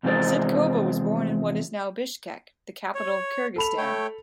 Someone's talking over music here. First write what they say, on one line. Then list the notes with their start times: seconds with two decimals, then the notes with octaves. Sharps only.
Sydykova was born in what is now Bishkek, the capital of Kyrgyzstan.
0.03 E2 C3 F3 G#3 C5 D5
2.95 C#5
3.56 A4 B5 F7
3.78 A3 C#5 G5